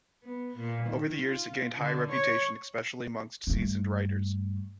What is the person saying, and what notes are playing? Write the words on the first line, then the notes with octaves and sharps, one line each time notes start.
Over the years it gained high reputation especially amongst seasoned riders.
B3
A#2
D#3
F4
D3
C#5
G2 A3